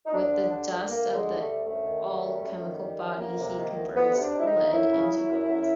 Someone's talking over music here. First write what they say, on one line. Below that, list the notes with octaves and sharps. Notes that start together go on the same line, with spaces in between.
With the dust of the alchemical body he converts lead into gold.
D#4
D2 D4
D3
G3 D4
D2
D2 A#3
D3
G#3
G3
A3
D2
F#2 A3
D#3
G3
F#2
F#2
D#3
G3
F#2
D2 A#3
C3
D#3
D2
D2 B3
C3
D4
D#3
E4
D#4
D2
F#2 E4
C#3
F#3
F#2
F#2